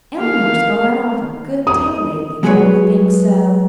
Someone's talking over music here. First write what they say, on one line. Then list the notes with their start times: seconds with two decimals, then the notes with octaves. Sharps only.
Eleanor's gone off a good deal lately, don't you think so?
0.20 A#3 F5
1.67 D#6
2.43 F#3 G#3 G#4 A4 B4 C#5